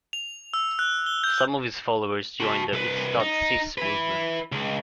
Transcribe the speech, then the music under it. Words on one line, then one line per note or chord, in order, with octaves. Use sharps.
Some of his followers joined the Ustadh Sis movement.
F7
E6
F#6
G7
G6
F#4 A5
C2 B4
D#4
E4 B4
C#2